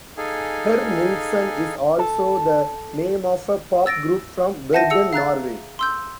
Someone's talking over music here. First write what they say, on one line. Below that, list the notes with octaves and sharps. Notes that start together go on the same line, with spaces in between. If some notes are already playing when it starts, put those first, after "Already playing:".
"Herr Nilsson" is also the name of a pop group from Bergen, Norway.
D#4 G#4 A4 F5 G#5
A4
E6 A6 A#6 D7
E5 F#5 A5 G6 A#6 D#7
G#4 E6 C#7
F5 A#5 F#6 A6
C6 E6 G6